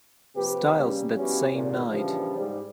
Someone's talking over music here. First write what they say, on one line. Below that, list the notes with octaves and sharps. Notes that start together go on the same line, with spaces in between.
Styles that same night.
C3 F3 A#3 G4 B4
C#3 G3 A#3
F3 G3 B3 C#4 E4 F#4
G#1 A#2
A#2 C#3 E3 F3 G3 D4
G#2 G3